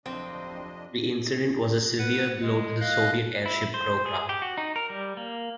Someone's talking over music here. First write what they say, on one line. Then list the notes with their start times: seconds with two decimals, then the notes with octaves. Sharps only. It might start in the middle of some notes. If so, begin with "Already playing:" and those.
The incident was a severe blow to the Soviet airship program.
0.06 D1 F2 C3 C4 D4 D#5
1.99 B4 F#5
2.42 G#3
2.81 D#5 F5 F#6
3.46 E4
3.74 C5
4.06 G#4
4.29 G4
4.42 F#4
4.57 D#4
4.76 A#4
4.90 G3
5.17 A#3